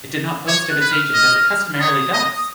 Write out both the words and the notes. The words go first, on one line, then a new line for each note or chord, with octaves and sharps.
It did not boast of its agent as it customarily does.
C#5 G#6
F#6
B4
F6
D#5
C#5 D#6
D#5
D#6